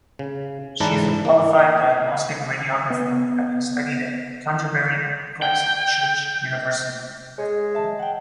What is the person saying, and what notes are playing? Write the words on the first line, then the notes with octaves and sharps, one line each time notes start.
She is a qualified Diagnostic Radiographer having studied at Canterbury Christ Church University.
C#3
G#2 E3 D4 B4 A5 A#5
A#3
B3
G5
G#3 C#5
E5 A5
F#5 G5